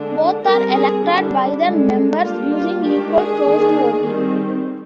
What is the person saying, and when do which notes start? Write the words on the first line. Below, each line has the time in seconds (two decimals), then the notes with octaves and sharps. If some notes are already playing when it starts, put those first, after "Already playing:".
Both are elected by the members, using equal, closed voting.
Already playing: D3 G#3 D4
0.41 G3 C4 A#4
0.72 G#4
1.01 D3 G3 D4
1.62 D3 G#3 D4
2.22 G3 A#3 D4 F4
2.52 F4
2.81 D#3 G#3 D4 G4
3.11 G#4
3.42 D#3 A#3 D4
4.02 D#3 G3 C4